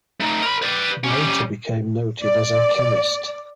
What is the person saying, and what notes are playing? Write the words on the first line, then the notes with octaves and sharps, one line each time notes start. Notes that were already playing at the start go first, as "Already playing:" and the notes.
He later became noted as a chemist.
A3 D#4
A#4 B5
B4 D5
G3 C#4
D5